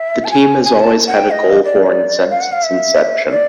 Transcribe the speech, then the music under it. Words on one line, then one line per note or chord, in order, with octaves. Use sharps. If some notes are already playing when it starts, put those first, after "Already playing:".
The team has always had a goal horn since its inception.
Already playing: E5
A5
G#5
G#5
A5
F#5
G5
D#5
D5
F5
F#5
F5
E5
D5